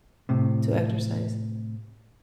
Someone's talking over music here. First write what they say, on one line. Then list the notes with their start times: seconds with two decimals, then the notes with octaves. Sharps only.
to exercise?
0.29 A2 C3